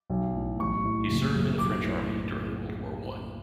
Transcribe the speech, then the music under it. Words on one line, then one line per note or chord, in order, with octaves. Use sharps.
He served in the French army during World War One.
B1
A2
A1 C#6
A2
F#1
F#2
B1 D6
A2